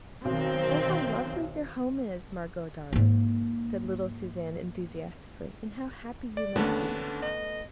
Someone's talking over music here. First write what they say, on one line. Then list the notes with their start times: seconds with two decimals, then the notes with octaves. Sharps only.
"Oh! how lovely your home is, Margot, darling," said little Suzanne, enthusiastically, "and how happy you must be!"
0.25 B1 D#3 C4
2.93 G#2 A#3
6.37 D5
6.56 D#2 D3 A3 B3 C#4 D4
7.23 D#5